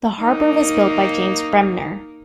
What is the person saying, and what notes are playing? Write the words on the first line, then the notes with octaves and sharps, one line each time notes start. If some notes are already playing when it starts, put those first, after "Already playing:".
The harbour was built by James Bremner.
A#3 D#4